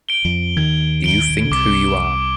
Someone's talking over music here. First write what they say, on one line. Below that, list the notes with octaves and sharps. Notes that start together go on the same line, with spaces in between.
Do you think who you are?
D7 G7
F2 F3
D#2 D#3 G#6
D7 G7
D3
C2 C3 D6